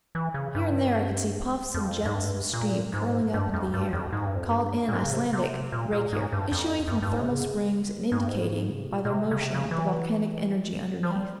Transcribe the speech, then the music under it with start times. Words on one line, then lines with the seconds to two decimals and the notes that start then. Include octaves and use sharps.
Here and there I could see puffs and jets of steam curling up into the air, called in Icelandic 'reykir,' issuing from thermal springs, and indicating by their motion the volcanic energy underneath.
0.15 E3
0.34 C#3
0.55 G2
1.74 F2
2.06 G#2
2.14 G2
2.53 A#2
2.94 G#2
3.34 G2
3.54 F2
3.74 G2
3.93 F2
4.13 G#2
4.25 G2
4.36 F2
4.46 G2
4.88 A#2
4.93 G#2
5.04 C#3
5.12 C3
5.33 C3
5.72 A#2
5.92 A#2
6.13 G#2
6.32 G2
6.52 F2
6.88 F2
6.91 G2
7.02 G2
7.12 G#2
7.22 C3
7.32 C#3
8.12 G#2
8.19 G2
8.28 G#2
8.70 C#3
8.80 C3
8.91 A#2
9.05 A#2
9.10 C3
9.31 C#3
9.42 C3
9.54 C#3
9.71 E3
11.03 F3
11.10 G3